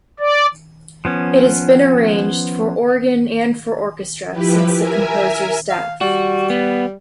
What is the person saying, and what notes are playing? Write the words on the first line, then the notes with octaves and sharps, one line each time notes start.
It has been arranged for organ and for orchestra since the composer's death.
D5
F3 B3 C#4
F3 E4 G4 B4
A#4 E5 G#5
F5
G3 F#4
B3